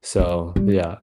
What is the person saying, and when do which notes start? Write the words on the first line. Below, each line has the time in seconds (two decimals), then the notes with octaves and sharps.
so yeah.
0.19 F3
0.56 G3